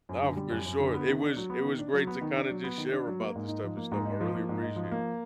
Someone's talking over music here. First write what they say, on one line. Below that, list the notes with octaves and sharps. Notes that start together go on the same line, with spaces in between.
Naw. For sure. It was it was great to kinda just share about this type of stuff. I really appreciate it.
F#2
D3
G3
F#2
F#2
D3
B3
D#3
D4
F#3
B3
D#3
D4
F#3
B3
D#3
D4
F#3
B3
D#3
D4
F#3
A#3
G#2
D#4
F3
A#3
G#2
D#4
F3
A#3
G#2
D#4
F3
A#3